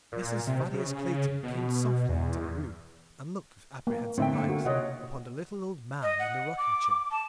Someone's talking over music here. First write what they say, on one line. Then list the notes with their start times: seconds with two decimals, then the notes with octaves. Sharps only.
Mrs. Thaddeus Clayton came softly into the room and looked with apprehensive eyes upon the little old man in the rocking-chair.
0.12 A#2
0.47 C3
0.74 C#3
1.43 B2
2.09 E2
3.87 A#3
4.18 A2 D3 C4 D#4 E5 G5
4.33 D3 A3 A#3
4.49 F#4 A#4
4.65 C3 F4 G4 C#5 D#5 F#5
6.03 D#5
6.19 F#5
6.58 D6
7.11 A5